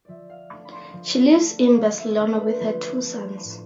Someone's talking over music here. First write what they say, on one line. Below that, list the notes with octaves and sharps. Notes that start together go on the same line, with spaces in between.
She lives in Barcelona with her two sons.
F3 D5 E5
F5
A3 D4 D6
B5
C6
F3
A3 D4
F3 F5
E5
A3 D4 E5
B4
C5
F3 B4
B4
A3 D4
C5
A2